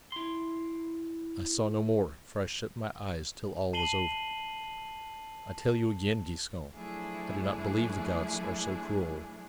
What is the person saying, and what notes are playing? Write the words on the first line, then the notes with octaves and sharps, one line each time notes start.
I saw no more, for I shut my eyes till all was over. I tell you again, Giscon, I do not believe the gods are so cruel.
E4 C6
A5 C7 D#7 F#7 G7
F3 F#3 A3 D4 E4 G#4